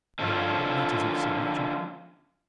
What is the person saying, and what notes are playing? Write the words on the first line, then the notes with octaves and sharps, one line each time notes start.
"Nay, what matters it?" said Matcham.
D3 F3 C#4 F4